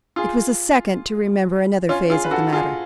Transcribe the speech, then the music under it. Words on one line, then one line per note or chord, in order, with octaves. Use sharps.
It was a second to remember another phase of the matter.
F4 G#4
C#4 F4
F4 G#4
B4
F#4 A4
F4 G#4